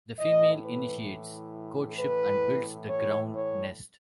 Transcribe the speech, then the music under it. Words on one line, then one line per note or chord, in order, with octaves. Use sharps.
The female initiates courtship and builds the ground nest.
A2 E3 D#5
B4
B4
C#5
C#5